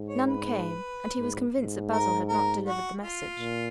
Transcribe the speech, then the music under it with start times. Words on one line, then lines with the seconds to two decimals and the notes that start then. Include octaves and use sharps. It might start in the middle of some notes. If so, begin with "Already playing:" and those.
None came, and he was convinced that Basil had not delivered the message.
Already playing: G#2
0.09 C#5
0.27 B4
1.18 G#2
1.55 G#2
1.93 A#4
2.29 A#4
2.66 F#4
3.03 F4
3.39 A#2